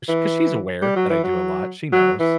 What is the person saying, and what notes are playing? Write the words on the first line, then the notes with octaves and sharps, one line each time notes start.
Sh 'Cause she's aware that I do a lot, she knows.
E3
G3
F#3
E3
F#3
F#3
E3